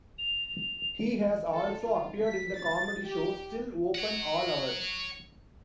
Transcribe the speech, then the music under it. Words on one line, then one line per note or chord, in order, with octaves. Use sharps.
He has also appeared in the comedy show Still Open All Hours.
F7
A4
F4
B6
A6
G4
C#5 F#5